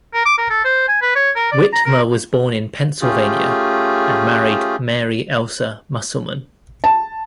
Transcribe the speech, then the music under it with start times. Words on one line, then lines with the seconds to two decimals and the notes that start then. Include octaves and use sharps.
Whitmer was born in Pennsylvania and married Mary Elsa Musselman.
0.14 A#4
0.25 D6
0.38 A#4
0.50 A4
0.65 C5
0.88 G#5
1.02 B4
1.15 C#5
1.36 A#4
1.52 D5
1.73 A#5
1.85 A#4
3.01 A3 C#4 F4 G4 G#4
6.84 A5